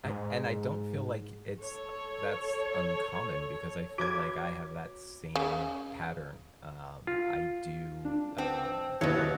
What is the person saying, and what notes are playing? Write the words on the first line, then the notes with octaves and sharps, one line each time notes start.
I and I don't feel like i it's that's uncommon because I feel like I have that same pattern. Um, I do, uh,
G#2
A4 C#5
F#4 C#5 D6 G#6
C#3
F4 F5
D4
C4 B4 F#5 A5
D#2 B2 F#3 E4 G#4 B4 C#5